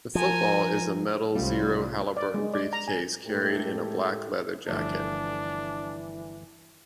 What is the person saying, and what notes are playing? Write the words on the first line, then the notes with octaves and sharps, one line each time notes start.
The football is a metal Zero Halliburton briefcase carried in a black leather "jacket".
F3 A#4 G#5
C2 G3 A3 C#4 F4
D5
G#3
D5
A#5
G#5
A2 G#3 A3 G4 A4 A#4
G1 E3 F3 A3 D4